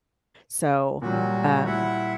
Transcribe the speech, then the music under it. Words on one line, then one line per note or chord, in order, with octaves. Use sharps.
So, um,
A#2 F#3 G3 F#4
E4 E5 F#5